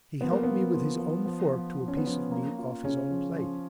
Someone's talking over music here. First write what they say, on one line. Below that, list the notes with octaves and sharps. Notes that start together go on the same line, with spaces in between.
He helped me with his own fork to a piece of meat off his own plate.
F3 B3
A#3
B3 F4
F3
F3
F3
F3
F3
C#4
B3
F3 C#4
A#3
F4
C#3 C#4
F3
F3